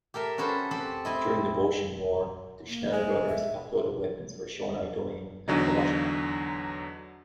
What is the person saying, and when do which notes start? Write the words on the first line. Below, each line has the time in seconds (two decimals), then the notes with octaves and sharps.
During the Boshin War, the Schnell brothers offloaded weapons for Shonai Domain at Awashima.
0.14 G4 A4 A#4 E5
0.38 C#4 F#4 G#4 A4 B4 C5
0.71 C4 G4 A4
1.05 C4 E4 D#5
2.69 A#3
2.92 G#3 C5
3.26 E5
5.48 E2 D3 F#3 D4 D#4